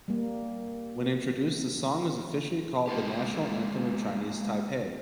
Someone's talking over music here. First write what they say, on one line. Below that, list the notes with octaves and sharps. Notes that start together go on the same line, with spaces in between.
When introduced, the song is officially called the National Anthem of Chinese Taipei.
G3 A#3
G#3 A#3 C4 F4 G4